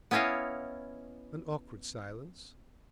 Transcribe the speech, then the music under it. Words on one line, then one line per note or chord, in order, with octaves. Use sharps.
An awkward silence.
B3 C#4 E4 C#5 D#5 F5